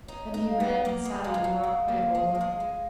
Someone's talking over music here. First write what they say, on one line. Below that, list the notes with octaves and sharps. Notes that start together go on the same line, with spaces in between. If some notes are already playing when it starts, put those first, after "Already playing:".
Then he ran and sat on a rock by Olaf.
D#4 C#5
D#5
D#4
F5
B3
F5
A#3 F#5
G#3
F#3 F5
F3
F#3
G#3
A#3
G#3
A#3
G#3
G#3